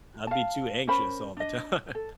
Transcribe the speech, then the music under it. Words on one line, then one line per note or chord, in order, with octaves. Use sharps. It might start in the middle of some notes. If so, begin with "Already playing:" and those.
I'd be too anxious all the time.
F5 A5
C#4 A#4 C5 B5
D4 D#5
A4